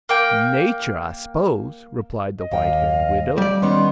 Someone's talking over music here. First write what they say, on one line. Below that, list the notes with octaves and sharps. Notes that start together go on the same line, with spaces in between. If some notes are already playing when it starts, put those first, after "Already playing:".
"Nature, I s'pose!" replied the white-haired widow.
A#3 G5
D#5
D#2 F5 G5
G3 D5
D#3 B3 C#4 C6